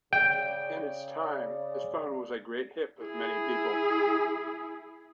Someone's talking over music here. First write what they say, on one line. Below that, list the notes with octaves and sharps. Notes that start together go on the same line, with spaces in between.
In its time, this phone was a great hit with many people.
C#3 D5 G5
E4 G#4